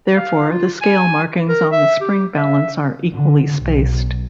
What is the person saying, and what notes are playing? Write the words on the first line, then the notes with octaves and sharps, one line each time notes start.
Therefore, the scale markings on the spring balance are equally spaced.
F5
F4
G#5
A#4
E5
G4
E5
D3
B1